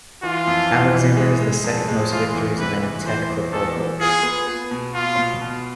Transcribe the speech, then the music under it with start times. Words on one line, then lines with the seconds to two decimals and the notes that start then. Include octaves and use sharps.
Alexander has the second most victories of any Tech football coach.
0.23 E3 F4
0.47 F2
0.71 E3
0.94 E3
1.17 G#3
1.40 G#3
1.64 F2
1.88 G#3
2.11 E3 F4
2.35 E2
2.59 C3 B4
2.83 E2
3.05 E3 C5
3.29 E2
3.53 E2 A4
3.76 E2
4.01 F4 G#4
4.23 B3
4.47 B3
4.71 B2
4.94 B2 F4
5.17 B2
5.42 B2